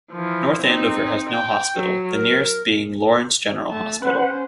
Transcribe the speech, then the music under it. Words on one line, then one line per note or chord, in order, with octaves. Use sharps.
North Andover has no hospital, the nearest being Lawrence General Hospital.
E3 F3
C4 D#4
G5
F#3
A#4
A3 A5
C#4 B4 C5 F#5